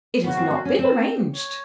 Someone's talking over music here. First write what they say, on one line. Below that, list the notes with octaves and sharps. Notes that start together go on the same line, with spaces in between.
"It has not been arranged."
A#3 B3 C#4 F#4
C4
C4
C#4
C4
C#5